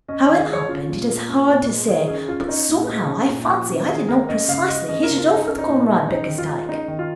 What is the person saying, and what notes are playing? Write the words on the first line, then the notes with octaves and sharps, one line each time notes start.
How it happened it is hard to say, but somehow I fancy I did not precisely hit it off with Comrade Bickersdyke.
C#4 D#5
D#4
D#3
G#4
G#3
C#5
C#4 F4
A#2
A#3
C#4
A#2
G#3
D#3 G#4
C#4 G#4
C#4 F4
C#4 D#4
A#2
G#3
C#4
A#2
F3
C#4
D#3 G#4
A#3 A#4
C#4 D#5
C#3 F5
G#3 D#5
C#4 D#5
A#4
C#3
F4
G#3
D#4
C#4
D#4
A#2
G#3
C#4 D#4
D#3
F4
G#3
C#4 D#4
D#3
F4